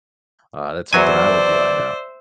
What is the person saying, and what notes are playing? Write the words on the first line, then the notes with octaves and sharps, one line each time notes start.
Uh, that's something I would do, I know.
E2 F#3 C5 D5 E5 G#5